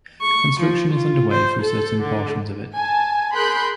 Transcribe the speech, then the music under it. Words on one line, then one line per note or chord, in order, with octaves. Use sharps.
Construction is underway through certain portions of it.
C#6
F3
F4
C5
A4
D3
G#5 A5
G#4 A#4 B5 C6 F#6 G6